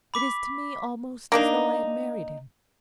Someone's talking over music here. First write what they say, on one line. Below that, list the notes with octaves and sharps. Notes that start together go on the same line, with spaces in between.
It is to me almost as though I had married him.
B5 D6 B6
A#3 D4 D#4